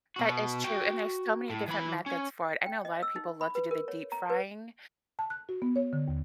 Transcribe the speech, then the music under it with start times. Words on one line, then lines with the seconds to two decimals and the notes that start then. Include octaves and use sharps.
That is true and there's so many different methods for it. I know a lot of people love to do the deep frying,
0.16 B2 F#4
0.64 F#4 G5
1.50 A2
1.68 E3 B5
2.06 C#4
2.66 G5
2.85 D#5
3.03 E6
3.16 D#4
3.41 B5
3.55 B4
3.71 A#4
3.88 C#5
4.12 A#5
4.30 B4
5.19 A5
5.30 F#6
5.49 F#4
5.62 B3
5.76 C#5
5.93 D3
6.08 D#2